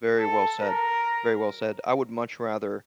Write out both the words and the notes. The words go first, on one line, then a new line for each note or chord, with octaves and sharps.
Very well said, very well said. I would much rather
A4
A#4